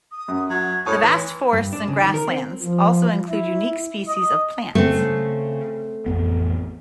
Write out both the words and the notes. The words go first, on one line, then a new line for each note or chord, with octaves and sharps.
The vast forests and grasslands also include unique species of plants.
D#6
F#2
F#3 G#6
A2 C#5 C#6 D#6
E3 C6
G2
D4
C#3
D#3
A#4
C4
F3
E4
D#5
C#3 A3 C4
A1 F2 B3